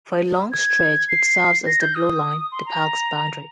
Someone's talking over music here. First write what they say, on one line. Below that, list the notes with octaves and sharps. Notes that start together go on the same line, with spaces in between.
For a long stretch it serves as the Blue Line, the park's boundary.
G#6
C7
A#6
G6
D#6
C6
A#5